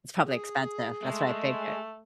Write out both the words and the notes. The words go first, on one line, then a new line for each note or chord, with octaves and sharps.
It's probably expensive that's what I figured.
G#4
G#3 A3